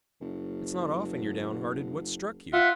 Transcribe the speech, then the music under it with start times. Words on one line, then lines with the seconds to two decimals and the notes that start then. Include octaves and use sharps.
"It's not often you're downhearted. What's struck you?"
0.21 F#1
2.53 F4 E5 F#5